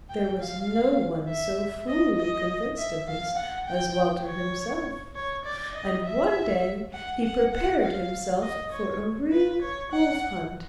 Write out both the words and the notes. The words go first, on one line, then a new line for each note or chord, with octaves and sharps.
There was no one so fully convinced of this as Walter himself, and one day he prepared himself for a real wolf hunt.
G5
F5
E5
D#5
D#5
E5
F5
F#5
G5
C#5
C#5
D5
D#5
E5
F#5
F#5
F#5
F5
D#5
C#5
B4
C#5
F#5